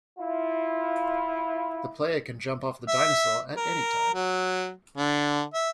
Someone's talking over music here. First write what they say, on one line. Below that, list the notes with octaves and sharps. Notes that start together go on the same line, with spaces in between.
The player can jump off of the dinosaur at any time.
E4 F4
E5
A#4
F#3
D3
E5